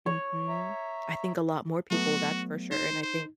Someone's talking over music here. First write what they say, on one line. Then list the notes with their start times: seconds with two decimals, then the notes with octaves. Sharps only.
Mhm. I think a lot more people that's for sure and I think
0.06 C#5
0.49 E5 A#5
1.91 F#3 A3 B3 F#4
2.71 D#4 C5
3.02 C5